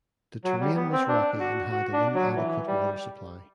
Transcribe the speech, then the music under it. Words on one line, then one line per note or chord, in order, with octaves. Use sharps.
The terrain was rocky and had an inadequate water supply.
F#3
G3
B3
C4
D4
F#4
F#4
D4
F#3
E3
G3